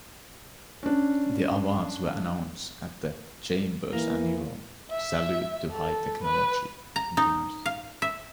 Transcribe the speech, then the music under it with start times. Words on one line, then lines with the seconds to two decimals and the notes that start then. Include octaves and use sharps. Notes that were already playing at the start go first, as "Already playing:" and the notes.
The awards were announced at the Chamber's annual "Salute to High Technology" dinners.
0.83 C#4 D4
3.93 E3 A#3
4.91 E5
5.72 A4
6.23 B4
6.96 A#5
7.17 D#4
7.66 F5
8.02 E5